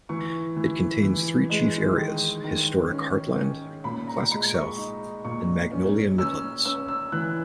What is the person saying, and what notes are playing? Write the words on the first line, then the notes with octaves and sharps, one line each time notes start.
It contains three chief areas: Historic Heartland, Classic South, and Magnolia Midlands.
E3 C#6
E3
E3
G#3
D#3
D#3
C#4
C#4
A#2 B5
A#5
G#3 B5
C#6
D#4
A#2 C#6
C#4
C#4 E6
C#4 E6
E6
E3 F#6